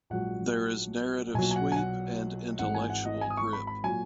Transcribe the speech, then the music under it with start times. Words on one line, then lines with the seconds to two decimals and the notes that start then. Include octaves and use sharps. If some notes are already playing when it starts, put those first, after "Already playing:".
There is narrative sweep and intellectual grip.
0.10 A#1 G#2 F#3 F#5
1.34 B1 A#2 F#3 G#5
1.51 G#5
1.56 F#5
1.72 G#5
1.76 F#5
2.59 G#1 G#2 E3 F#5
2.74 G#5
2.90 F#5
3.05 D#5
3.21 G#5
3.30 D#6
3.37 C#6
3.53 B5
3.67 B5
3.83 A#2 F#3 G#5